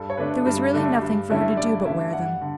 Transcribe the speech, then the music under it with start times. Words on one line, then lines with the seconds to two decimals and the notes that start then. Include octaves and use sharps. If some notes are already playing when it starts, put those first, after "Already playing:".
There was really nothing for her to do but wear them.
Already playing: G2 A4
0.10 C#5
0.17 D3 A3 D4 B4
0.46 G2
0.74 D3 A3 D4
1.02 G2
1.30 D3 A3 C#4 E4
1.57 G2 D5
1.85 D3 A3 C#4 E4 E5
2.13 G2 F#5
2.41 D3